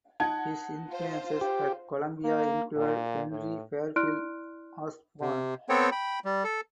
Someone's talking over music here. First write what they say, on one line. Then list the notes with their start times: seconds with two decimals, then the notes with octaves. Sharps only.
His influences at Columbia included Henry Fairfield Osborn.
0.20 D#4 F#5 A5 G#6
0.88 F4 C5
1.41 G4
2.24 A#3
2.76 A#2
3.30 A2
3.96 E4 D5 C6 F6 F#6 D7
5.21 C3
5.69 B3 C4 A4 C#5 G5
5.92 G5 B5
6.25 G3
6.44 A4